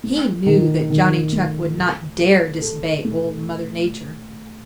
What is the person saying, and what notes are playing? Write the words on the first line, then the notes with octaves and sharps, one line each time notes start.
He knew that Johnny Chuck would not dare disobey Old Mother Nature.
A3
D#3
D#3
A3
A4
A4
A4
A3